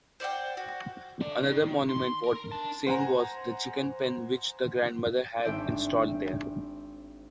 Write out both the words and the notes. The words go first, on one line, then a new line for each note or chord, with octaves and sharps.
Another monument wort seeing was the chicken pen which the grandmother had installed there.
C5 D5 F#5 G5
F#4
D3 D5
D#3
C6
A#4
D4 A5
C5 F#5 G#5 A#5
G#1 C4 D4 E5 G6 D7